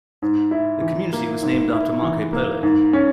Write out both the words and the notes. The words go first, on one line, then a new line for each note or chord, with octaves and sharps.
The community was named after Marco Polo.
G#2
E4
E3
A#3
G#2
E4
E3
A#3
G#2
C#4